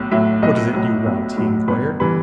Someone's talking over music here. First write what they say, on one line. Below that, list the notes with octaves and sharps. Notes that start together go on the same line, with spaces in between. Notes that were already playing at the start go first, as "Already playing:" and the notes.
"What is it you want?" he inquired.
Already playing: B1 A2
A2 F#3 E5
B1 D#5
A2 F#3
B1
A2 F#3
G1 B4
E3 G3 B4